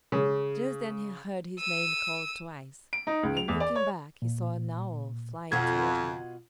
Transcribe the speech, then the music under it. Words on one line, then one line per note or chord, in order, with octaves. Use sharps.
Just then he heard his name called twice, and, looking back, he saw an owl flying toward him.
C#3
E6 D#7
D7
D#4
C#2
F7
E2
D5
C#5
A#2
F2 B2 F4 F#5 G#6